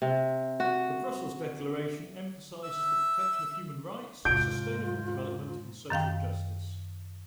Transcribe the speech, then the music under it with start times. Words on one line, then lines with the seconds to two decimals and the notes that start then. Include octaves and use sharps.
The Brussels declaration emphasises the protection of human rights, sustainable development and social justice.
0.02 C3
0.60 F#4
2.64 E5 E6
4.25 E2 G#2 C3 F4 G6 D7
5.90 F#2 D#3 F5 G5